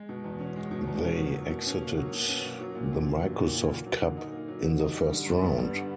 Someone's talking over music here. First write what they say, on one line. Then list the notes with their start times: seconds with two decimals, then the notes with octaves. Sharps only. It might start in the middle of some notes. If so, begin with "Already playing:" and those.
They exited the Microsoft Cup in the first round.
Already playing: G#3
0.09 B2
0.24 E2
0.40 C#4
0.56 G#3
0.71 B2
0.87 E2
1.03 C#4
1.19 A#3
1.34 F#3
1.50 B2
1.66 C#4
1.81 A#3
1.97 F#3
2.13 B2
2.28 C#4
2.44 A#3
2.60 F#3
2.75 A#2
2.92 A#2
3.07 A#3
3.22 F#3
3.39 A#2
3.54 A#2
3.69 A#3
3.86 F#3
4.01 D3
4.17 D#4
4.32 A#3
4.48 F#3
4.64 D3
4.79 D#4
4.95 G3
5.11 D3
5.26 G2
5.43 B3
5.58 G3
5.75 D3